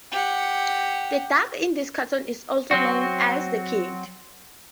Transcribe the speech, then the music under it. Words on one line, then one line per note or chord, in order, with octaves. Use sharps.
The duck in this cartoon is also known as "The Kid".
G4 F#5
F#3 C4 F#4